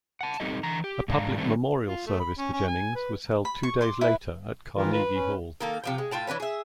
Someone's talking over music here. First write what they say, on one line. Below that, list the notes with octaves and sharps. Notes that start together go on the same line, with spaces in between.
A public memorial service for Jennings was held two days later at Carnegie Hall.
F#5 A5
G3 C4 D#4 G4 A4 D#5
D3 E3 A#5
G4
G#2 D4 F5 A#5
D#3 G3 A3 C4 D4
F4
A3
B5
C#4
C#4
G#5
B4
B5
C#6
C6 D6
E4 B4
D#3 E3 F4 A#4
B4
C#4
D#3 A#3 A4
C3 F3 G5
G#3
A2 F4 G5 A5
E3 D4 B4 C#5
G#4 E5